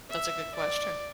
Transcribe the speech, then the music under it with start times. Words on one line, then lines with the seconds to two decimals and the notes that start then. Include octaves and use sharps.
That's a good question.
0.10 E5
0.55 D5